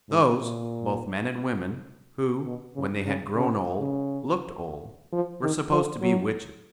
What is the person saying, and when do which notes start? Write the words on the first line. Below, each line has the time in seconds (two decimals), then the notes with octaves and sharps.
Those, both men and women, who, when they had grown old looked old, were supposed to be witches.
0.10 G#2
0.39 A#2
2.47 B2
2.76 C#3
3.05 C#3
3.35 C#3
3.79 C#3
5.13 F3
5.42 D#3
5.71 F3
6.02 F#3